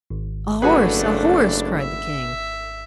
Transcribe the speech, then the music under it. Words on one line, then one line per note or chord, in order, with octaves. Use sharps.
'A horse! a horse!' cried the king.
G#1
F#1 A3 D4 F#4 G#4 B4
E5